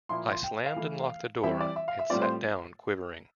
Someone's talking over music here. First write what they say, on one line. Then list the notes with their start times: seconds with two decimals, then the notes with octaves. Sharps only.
I slammed and locked the door and sat down quivering.
0.09 A#2 F3 A#3 E4 C6
0.32 C6
0.44 G5
0.66 F5
0.76 E3 A3 E4
1.43 E3 G3 C4 E4 E5
1.61 D5
1.76 E5
1.88 F5
1.99 E5
2.10 A2 G3 C4 F4 D5
2.22 C5